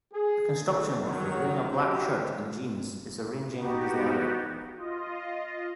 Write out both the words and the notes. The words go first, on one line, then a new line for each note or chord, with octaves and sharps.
A construction worker wearing a black shirt and jeans is arranging his ladder.
G#4
C3 D#3 E3 A3 D4
D#3 F#3
C#4 D#4 F#4 G4 C5
B3 D#4 F#4 G4
F4 D#5